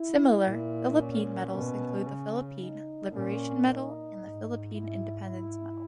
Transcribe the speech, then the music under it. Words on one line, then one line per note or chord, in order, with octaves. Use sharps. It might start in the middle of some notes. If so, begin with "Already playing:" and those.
Similar Philippine medals include the Philippine Liberation Medal and the Philippine Independence Medal.
Already playing: E4
A#2 E4
C#4
B2
C#3
D#4
A#2 C#4
D#4
G#2
E4
E4